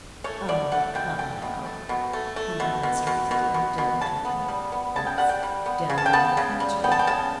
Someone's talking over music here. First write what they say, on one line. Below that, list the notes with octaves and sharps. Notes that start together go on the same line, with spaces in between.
"Oh, come now!" he remonstrated, indulgently--"that's downright flattery."
A3 C#5
B2 D5
A3 F#5
B2 G5
A3 G5
B2
A3
B2
A3
A3
B2
B2
B2
B2
B2
B2
C#3 A5
B3
G3
B3
C#3 A5
G5
G3 F#5
G5
G3
B3
C#3
A5
G5
B3 A5
C#3
G3
B3 G5
A5
G5
C#3 A5